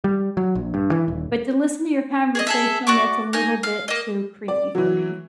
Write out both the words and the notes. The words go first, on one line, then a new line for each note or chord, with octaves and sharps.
but to listen to your conversation, that's a little bit too creepy for me.
G3
F#3
A#1
G2
E3
D#1
G#4 C#5 D#5
G#4 A4 E5
F#4 D5 C#6 D6
D#4 D#5 G#5
F5
A#3 D#5
D5
E3 F#3